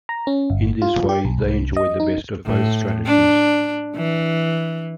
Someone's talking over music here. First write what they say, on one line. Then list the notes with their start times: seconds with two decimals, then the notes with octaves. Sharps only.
In this way, they enjoy the best of both strategies.
0.09 A#5
0.27 C#4
0.50 G1
0.82 F4
1.09 G4
1.25 B1
1.39 C2
1.77 D#5
2.00 D#4
2.46 A2
3.06 D4
3.96 E3